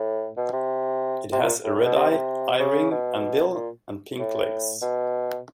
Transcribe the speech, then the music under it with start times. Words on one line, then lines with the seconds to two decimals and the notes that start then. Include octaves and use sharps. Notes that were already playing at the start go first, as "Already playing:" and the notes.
It has a red eye, eye ring and bill, and pink legs.
Already playing: A2
0.37 B2
0.53 C3
1.32 C3
1.43 A#2
1.64 A2
1.75 A2
1.85 B2
1.96 C3
2.11 C3
2.60 C#3
2.91 B2
3.55 A#2
4.19 A2
4.82 B2